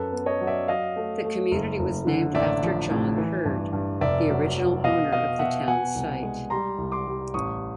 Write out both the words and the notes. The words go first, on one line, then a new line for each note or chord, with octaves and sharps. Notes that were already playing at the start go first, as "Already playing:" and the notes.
The community was named after John Hurd, the original owner of the town site.
Already playing: F#2 A4 B4
B3
C#5 D#5
F#3
D5 E5
F#3 D#5 F5
A3
A3
F#1
F#1
D3
A1 D5 E5
F3
A2
E3
G2
G2
F1 D5 E5
F#3
F#3
B2 D#5 F5
B2 D#5 F5
B2 E5 F#5
B2 F#5 G#5
C2
G#3
G3 A#5 C6
C2
C6 D6
G3
A1 C#6 D#6